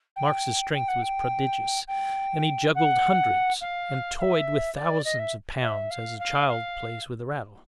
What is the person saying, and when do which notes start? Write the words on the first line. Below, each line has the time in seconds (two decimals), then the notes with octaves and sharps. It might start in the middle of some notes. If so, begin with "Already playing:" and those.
Marx's strength was prodigious, and he juggled hundreds, and toyed with thousands, of pounds as a child plays with a rattle.
0.16 G5
0.74 G5
0.88 F#5
1.02 G5
1.88 G5
2.75 F#5
3.61 F5
4.19 F5
4.22 E5
4.76 D5
5.05 D#5
5.19 E5
5.62 E5
5.91 F5
6.19 F5
6.48 F5